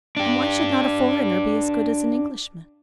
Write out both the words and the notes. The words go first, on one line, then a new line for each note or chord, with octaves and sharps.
And why should not a foreigner be as good as an Englishman?
D4 G4